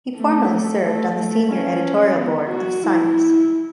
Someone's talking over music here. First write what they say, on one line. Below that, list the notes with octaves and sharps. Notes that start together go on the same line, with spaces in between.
He formerly served on the Senior Editorial Board of "Science".
A3
A3
A3
C#4
B3
F#4
E4